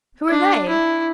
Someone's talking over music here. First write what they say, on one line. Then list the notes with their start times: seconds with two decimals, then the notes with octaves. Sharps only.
"Who are they?"
0.29 D4
0.68 E4